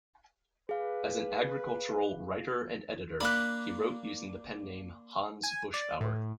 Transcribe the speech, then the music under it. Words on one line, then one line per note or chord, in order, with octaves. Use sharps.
As an agricultural writer and editor, he wrote using the pen name "Hans Buschbauer".
G#4 B4 F5
A#3 D4 B5 F#6
G#5
D5
A2